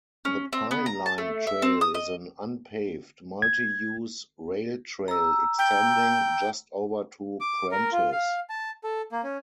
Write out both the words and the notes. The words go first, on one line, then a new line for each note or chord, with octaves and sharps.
The Pine Line Trail is an unpaved, multi-use rail-trail extending just over to Prentice.
C#4
C4
B3
A#5
A5
A3
E5
C4
D#6
D#5
G#6
A#5 E6
G5
D6
A#4
F4
F5
A5
A4
A#3
C#4